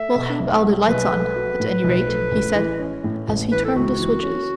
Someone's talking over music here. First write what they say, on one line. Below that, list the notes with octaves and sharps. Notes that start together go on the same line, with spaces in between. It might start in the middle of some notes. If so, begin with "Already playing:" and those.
"We'll have all the lights on at any rate," he said, as he turned the switches.
Already playing: A3 E5
B2
B1
F#3
B1 B4
A3
F#4
A2
B1
A3
A1
E3
C#4
A2
A1
E3 B4
A4
C#2 F#4
E3
C#4